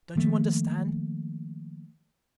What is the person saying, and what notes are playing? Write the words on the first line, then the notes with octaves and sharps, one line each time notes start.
Don't you understand?
D#3 F3 A3 A#3